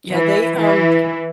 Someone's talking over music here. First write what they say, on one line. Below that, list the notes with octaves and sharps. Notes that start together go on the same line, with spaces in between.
Yeah, they, um
E3
E3